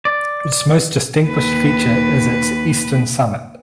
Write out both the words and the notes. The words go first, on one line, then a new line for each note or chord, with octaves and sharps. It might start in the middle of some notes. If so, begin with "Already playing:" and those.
Its most distinguished feature is its eastern summit.
D5
D#2 B4